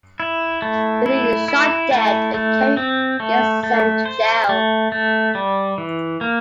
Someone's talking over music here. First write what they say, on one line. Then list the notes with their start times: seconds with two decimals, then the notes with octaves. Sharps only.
Lilli is shot dead and Carrie gets sent to jail.
0.20 E4
0.62 A3
1.06 E4
1.48 E4
1.91 A3
2.34 A3
2.77 C4
3.20 A3
3.63 A3
4.05 C5
4.49 A3
4.92 A3
5.35 G3
5.78 E3
6.21 A#3